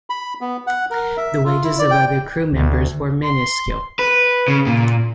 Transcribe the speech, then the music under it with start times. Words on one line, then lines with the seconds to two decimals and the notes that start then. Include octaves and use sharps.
The wages of other crew members were minuscule.
0.10 B5
0.41 B3
0.67 F#5
0.91 A#4
1.17 E5
1.46 F4
1.64 E4
1.79 D5
1.91 G5
2.53 D2
3.24 C6
3.99 B4
4.48 C#3
4.67 A#2